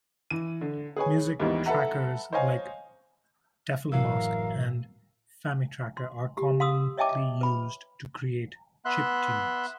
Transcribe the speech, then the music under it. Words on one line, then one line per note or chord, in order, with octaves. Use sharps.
Music trackers like DefleMask and Famitracker are commonly used to create chiptunes.
E3 D#7
D3
G#4 B4 C#5 G#5
D#2 G#2 E3 G3 B3
A4 B4 E5 F#5 A#5
C5 C#5 D#5 F5 G#5
F#1 A2 E3 F#3 A#4 F5 E6
C6
G4
F5 C6 D#6 E6
C#5 D#5 E5 G5 A5 D6
B4 B5
B3 E5 C6 F#6